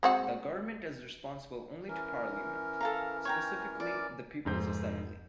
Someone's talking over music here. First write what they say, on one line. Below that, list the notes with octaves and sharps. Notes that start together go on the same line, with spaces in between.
The government is responsible only to Parliament, specifically the People's Assembly.
G#3 C4 F#4
E3 C#4 A#4
A4 F5 A#5
C#5 G5 A#5
D5
F1 G#2 C5 G6